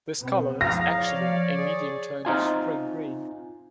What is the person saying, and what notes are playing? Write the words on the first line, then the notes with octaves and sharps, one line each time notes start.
This color is actually a medium tone of "spring green".
B2 B3 C4
A2 F3 G#4 F5 A#5 A#6
C#5 D5
G#4
C4 D#4 F4 G#5